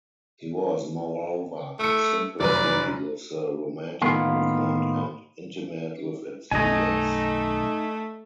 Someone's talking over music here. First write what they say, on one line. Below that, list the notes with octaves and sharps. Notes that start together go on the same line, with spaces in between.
He was, moreover, in sympathy with the Romantic movement, and intimate with its leaders.
A3 E6 C#7
F1 F#2 B4 D5
A2 D#3 A#3 B3 F4
B1 F#2 D#3 A3 D#4 D#5 G#5